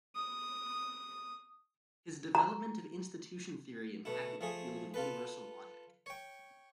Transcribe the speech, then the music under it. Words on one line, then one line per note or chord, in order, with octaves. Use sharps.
His development of institution theory impacted the field of universal logic.
D#6
A#5
B2 A3 E4
F3 A3 G#4
F4 A4 B4
C#5 G5